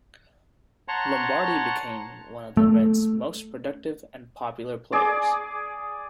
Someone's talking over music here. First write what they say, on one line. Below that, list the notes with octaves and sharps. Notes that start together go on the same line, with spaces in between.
Lombardi became one of the Reds' most productive and popular players.
C#5 F#5 A5 A#5 C6 C#6
A3
G#4 D5 D6